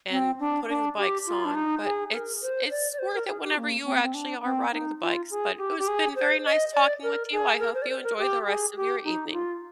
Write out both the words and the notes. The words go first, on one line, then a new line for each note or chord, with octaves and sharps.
and putting the bikes on, but it's it's worth it whenever you actually are riding the bikes, but it has been very nice talking with you, I hope you enjoy the rest of your evening.
C4
D4
D4
G4
F4
D4
D#4
G#4
A#4
C5
D5
D5
C5
A#4
G#4
G4
A#3
C4
C4
D4
C4
D#4
F4
G#4
G4
G4
G#4
C5
D#5
D5
A#4
G#4
A#4
C5
D5
C5
A#4
G4
G#4
G4
D#4
F4